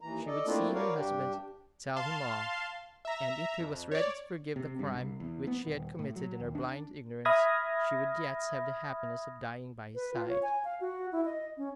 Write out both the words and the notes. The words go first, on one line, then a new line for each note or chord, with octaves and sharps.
She would see her husband, tell him all, and, if he was ready to forgive the crime, which she had committed in her blind ignorance, she would yet have the happiness of dying by his side.
D#2 E3 A#5
A4 D5 D#5
A3 A#3 C4 D4 E4 F4
F#4 A#4 B4 C#5 D5 F5
G2 D4 G4 G5
F5 A5 C6
E5 A#5
F2
C#5 D5
C3
G2
C2
E2
B3
D#1
A2
F#3
D#2
D4
E5 B5 D#6 F6 G#6 A#6
B4
F4
C#5
G#5
F5
F#4
E4
D#5
C#4